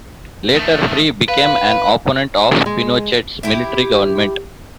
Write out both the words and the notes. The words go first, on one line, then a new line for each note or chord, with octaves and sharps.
Later, Frei became an opponent of Pinochet's military government.
D#3 A3
B4 F5
G#3
E4 G4